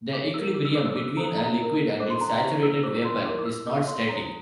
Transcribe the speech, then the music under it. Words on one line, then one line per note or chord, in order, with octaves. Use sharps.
The equilibrium between a liquid and its saturated vapor is not static.
D6
E4 A#4 E6
D6
E6
D4 A4 C5 D6
E6
D6
D4 A4 C5 A#5
A#5
E4 A#4
D4 A4 C5 D6
C6
A#5
A#5
E4 G4 C5
E6
E6
E4 G4 C5 D6
C6
E4 G4 A#4 D6
D6
E6
D4 F4 A4 D6
C6
D4 A4 C5 A#5